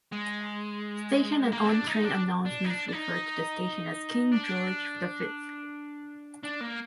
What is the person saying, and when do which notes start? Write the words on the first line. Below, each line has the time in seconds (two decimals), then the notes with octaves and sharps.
Station and on-train announcements refer to the station as 'King George the Fifth'.
0.12 G#3
1.52 A#3
1.64 C4
1.70 D4
1.87 D#4
2.05 D4
2.45 D4
2.64 D#4
2.70 D4
2.88 D4
2.92 D#4
4.33 D4
6.43 D4
6.60 A#3